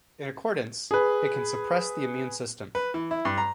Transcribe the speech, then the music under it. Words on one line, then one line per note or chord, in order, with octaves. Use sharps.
In accordance, it can suppress the immune system.
G#4 B4
B4
E3
E4
G2
A#5